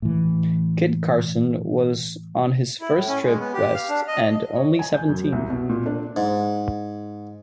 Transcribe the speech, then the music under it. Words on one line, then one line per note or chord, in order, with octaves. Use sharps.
Kit Carson was on his first trip west and only seventeen.
A2 E3
E4
A2
C#4
G#3
B3
G4
F5
D4
D#5
D#5
C#5
G#5
G6
F#2
C2
B2
A#2
D4
G#2